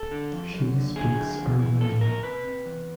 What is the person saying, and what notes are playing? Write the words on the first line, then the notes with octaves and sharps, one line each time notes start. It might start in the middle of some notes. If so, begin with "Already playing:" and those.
She speaks Armenian.
Already playing: A4
D3
F2
F#2
D3
D3 G#4
F#2
F2
E3
F2 A4
F2 A#4
C3 B4
C3
E2